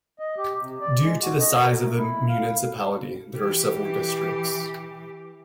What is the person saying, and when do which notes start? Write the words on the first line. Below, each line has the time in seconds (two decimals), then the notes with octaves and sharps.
Due to the size of the municipality there are several districts.
0.19 D#5
0.38 G4
0.59 C3
0.81 D5
1.00 G#3
1.22 F#4
1.40 D#5
1.60 A#4
1.84 A3
1.97 E4
2.28 F5
3.37 E3 G4